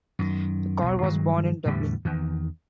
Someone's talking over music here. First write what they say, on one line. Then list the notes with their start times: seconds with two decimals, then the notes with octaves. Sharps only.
Carr was born in Dublin.
0.19 F#2 D#3
0.82 B1 E2
1.03 G2 D#3 F#3 G#3
1.65 E2 A2 D3 G3
2.05 E2 D#3